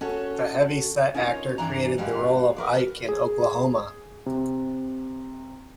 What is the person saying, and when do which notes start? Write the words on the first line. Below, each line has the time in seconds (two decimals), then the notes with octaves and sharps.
The heavy-set actor created the role of Ike in Oklahoma!
0.01 C#4 F#4 A4 C#5
1.14 C#4 D#4 F4 A#4 C#5
1.58 G2 E3 D4 A#5
1.98 G#2 G3 G#3 B4 F5
2.56 A#4 B4 D5
3.09 G#4
4.26 C3